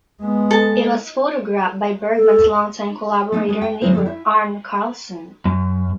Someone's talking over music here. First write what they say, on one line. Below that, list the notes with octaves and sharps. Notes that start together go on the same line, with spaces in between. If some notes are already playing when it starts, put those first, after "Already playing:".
It was photographed by Bergman's longtime collaborator and neighbour, Arne Carlsson.
G#3 B3
A4 A5
A4
A3 B3 C4 D4 D#4
G3 G#3 C#4
G5
D2 G#2 F#3 G#3 E4 C5
D3 F#3 A#3 C#4 A4
E4 E5
F#2